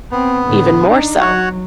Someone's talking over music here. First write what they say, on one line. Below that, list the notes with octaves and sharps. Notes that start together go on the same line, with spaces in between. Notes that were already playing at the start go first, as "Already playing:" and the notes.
Even more so.
B3 C4
A2 D3
D4 D#4
F#3 F#4 C#5